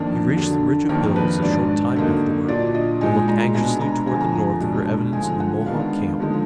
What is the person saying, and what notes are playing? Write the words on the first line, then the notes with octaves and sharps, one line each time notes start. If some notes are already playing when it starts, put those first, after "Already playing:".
He reached the ridge of hills a short time afterward, and looked anxiously toward the north for evidence of the Mohawk camp.
Already playing: F2 D#3 A#3 D4
D3 F#3 D4
F2 D#3 A#3 D4 A#4
B4
G#2 F#3 D4 D5
D3 F#3 A#3 D#4
A#2 F#3 D4 D5
D#5
A#2 G#3 D#4 G#5
A#5
B2 G#3 B3 D4 G#5
A#5
F2 D3 F3 G#5
A#5
G#5
B2 G#3 D4
D3 F3 G#3 D#4 G#5
F#5
D#3 G#3 B3 D4 F5
D3 F3 G#3 D#4